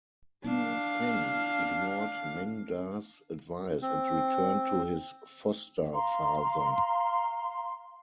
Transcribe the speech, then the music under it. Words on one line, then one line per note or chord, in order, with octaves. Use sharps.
Liu Feng ignored Meng Da's advice and returned to his foster father.
D4 F5
C4
F5 A#5 C6